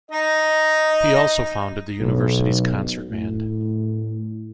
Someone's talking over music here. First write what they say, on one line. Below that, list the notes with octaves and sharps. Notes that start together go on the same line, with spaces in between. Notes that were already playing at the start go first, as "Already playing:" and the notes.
He also founded the University's concert band.
D#4 D#5
B1
A2